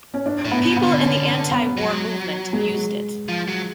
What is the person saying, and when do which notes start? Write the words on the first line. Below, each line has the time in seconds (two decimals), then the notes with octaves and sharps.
People in the anti-war movement used it.
0.14 C#4
0.26 D4
0.45 A2
0.51 B3
0.63 B2
0.77 B3
0.83 D3
1.01 C#4
1.26 C#4
1.51 B3
1.77 F#3
2.53 G#3
3.28 F3
3.48 F#3